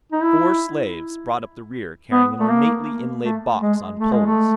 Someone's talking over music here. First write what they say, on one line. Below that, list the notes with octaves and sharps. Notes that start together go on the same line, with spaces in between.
Four slaves brought up the rear carrying an ornately inlaid box on poles.
D#4
E4
B3
A3
A#3
A3
G#3
A3
G#3
A3